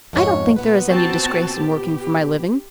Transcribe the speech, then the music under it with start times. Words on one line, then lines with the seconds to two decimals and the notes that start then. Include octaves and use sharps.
I don't think there is any disgrace in working for my living.
0.13 F2 G#2 C#5
0.56 A#2 B3 B4
0.88 C4 F#4 A5
1.58 G4